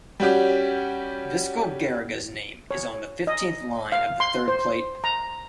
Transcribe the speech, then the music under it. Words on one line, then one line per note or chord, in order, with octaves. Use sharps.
Viscal Garriga's name is on the fifteenth line of the third plate.
G3 C#4 F#4 G4
C#5
D#5
F5
C6
C5
A#5